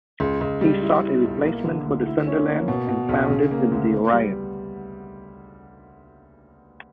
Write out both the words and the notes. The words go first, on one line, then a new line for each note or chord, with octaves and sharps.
He sought a replacement for the Sunderlands and found it in the Orion.
C#2
C#2
G3
E4
E4
B1
A#3
D3
D2
E4
C#4
A#3
B2
B2
B1
C#3
A#3
D2
B3
G3